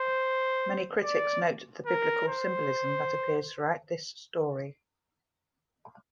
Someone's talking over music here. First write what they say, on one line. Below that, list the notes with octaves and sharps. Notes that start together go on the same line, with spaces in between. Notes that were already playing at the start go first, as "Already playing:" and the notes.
Many critics note the biblical symbolism that appears throughout this story.
Already playing: C5
D5
A#4
C5